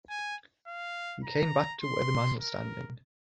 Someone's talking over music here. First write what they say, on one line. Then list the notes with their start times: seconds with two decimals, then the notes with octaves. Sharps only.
He came back to where the man was standing.
0.10 G#5
0.67 F5
1.25 A#5
1.81 C6
2.40 A#4